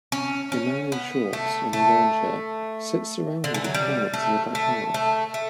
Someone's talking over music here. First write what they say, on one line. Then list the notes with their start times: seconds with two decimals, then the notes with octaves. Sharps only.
A man in shorts in a lawn chair sits surrounded with plants in a backyard.
0.12 C#4
0.52 C#4
0.92 B3
1.33 A3
1.73 A3
3.44 D3
3.54 E3
3.64 F#3
3.74 G3
4.13 A3
4.55 A3
4.94 A3
5.34 A3